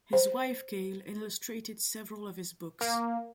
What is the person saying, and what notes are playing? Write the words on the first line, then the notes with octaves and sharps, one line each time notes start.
His wife Gail illustrated several of his books.
C5
A#3